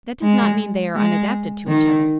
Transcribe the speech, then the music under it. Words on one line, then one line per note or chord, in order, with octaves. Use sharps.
That does not mean they are unadapted to each other.
G#3
G#3
D#3